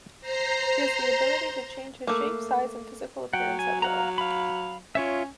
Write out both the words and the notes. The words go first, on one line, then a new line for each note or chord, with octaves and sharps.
He has the ability to change his shape, size, and physical appearance at will.
C5 A#5 C6
A3 A#3
F#3 F#5 G5
G#5
F5 F#5 A#5
F5 B5
C#4 F4 C#5 E5